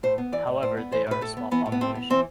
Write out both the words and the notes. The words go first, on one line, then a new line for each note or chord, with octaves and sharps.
However, they are a small population.
A2 C5
B3
E3 D5
A2
A2 C5
B3
E3 C5
A2 B4
A2 A4
B3
E3 B3
A2
B3
A2 C4
B3
E3 C4